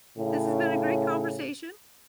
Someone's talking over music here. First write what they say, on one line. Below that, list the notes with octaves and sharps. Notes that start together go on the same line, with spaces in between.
this has been a great conversation.
A2 C#3